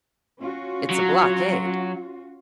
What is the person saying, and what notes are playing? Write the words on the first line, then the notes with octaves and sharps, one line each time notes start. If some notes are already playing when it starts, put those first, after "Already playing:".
"It's a blockade."
C#4 F4 F#4
F#3